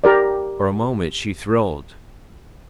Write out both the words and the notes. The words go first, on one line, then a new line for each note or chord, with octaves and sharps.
For a moment she thrilled.
G4 A#4 D5